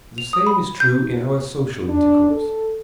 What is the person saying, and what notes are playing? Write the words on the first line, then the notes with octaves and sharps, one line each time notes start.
The same is true in our social intercourse.
F7
D#6
B5
G6
D4
A4